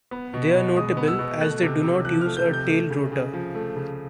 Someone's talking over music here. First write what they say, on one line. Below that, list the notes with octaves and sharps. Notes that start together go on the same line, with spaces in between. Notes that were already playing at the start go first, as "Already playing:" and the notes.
They are notable as they do not use a tail-rotor.
B3
B2
B2
G#3 D#6
B3
E6
B2
A3 F#6
C3
C3
F3 F#6
A3 F6
G6
C3
G6
A3
C#3
C#3
F3
A3
C#3